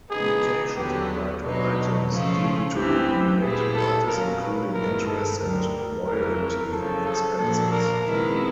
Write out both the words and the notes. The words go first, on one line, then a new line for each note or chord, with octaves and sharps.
Limitations apply to items due to related parties, including interest and royalty expenses.
C#3 E3 G#3 B3 D#4 G#4
D#2 D3 F#3 B3 G4
B2 F#3 B3 D4 D#4
C#3 F3 A3 C#4 F4
D2 C3 E3 G4
A#2 G3 B3 E4 G#4
A4
A#2 F#3 A#3 C#4 A#4
B4
G2 D#3 G#3 B3 E4 A#4
A4
D2 D3 G3 A#4
F2 C#3 E3 A#4
F#2 C#3 F3 A4
A4
A#2 F3 A#3 D4 F#4 A4
A#4
C3 D#3 G#3 B3 E4